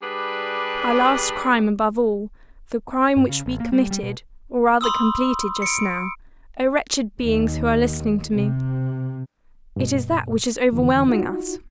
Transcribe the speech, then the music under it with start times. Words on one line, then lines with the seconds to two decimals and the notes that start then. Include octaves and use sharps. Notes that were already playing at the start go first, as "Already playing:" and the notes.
Our last crime, above all, the crime which we committed, or rather completed, just now--O wretched beings who are listening to me--it is that which is overwhelming us.
0.02 G3 D4 G4 G#4 B4
3.17 G2
3.29 C#3
3.46 A1
3.60 A#3
3.72 G3
3.91 G3
4.03 B2
4.81 B5 C6 D#6 E6
5.62 C#7 D7
7.19 D#2
8.32 C3
9.76 G2 B2
10.73 F2 D3 E3
11.09 D#4 F4 F#4